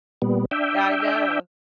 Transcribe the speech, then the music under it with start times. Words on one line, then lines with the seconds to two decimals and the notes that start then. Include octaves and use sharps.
I know.
0.22 A#2 G3 B3
0.51 D4 E5 G5